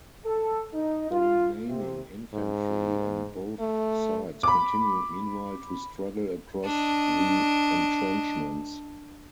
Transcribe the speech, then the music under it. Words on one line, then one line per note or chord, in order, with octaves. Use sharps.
The remaining infantry on both sides continued meanwhile to struggle across the entrenchments.
A4
D#4
F4
C3
G#2
A3
B5 D6
D4 D#5